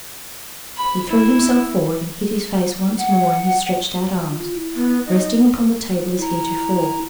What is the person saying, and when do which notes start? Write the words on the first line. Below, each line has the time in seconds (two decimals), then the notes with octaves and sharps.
He threw himself forward, and hid his face once more in his stretched-out arms, resting upon the table as heretofore.
0.77 B5
1.09 E4
2.99 F#5
4.31 F4
4.54 E4
4.75 B3
5.07 D#4 D#5
6.19 E4 A#5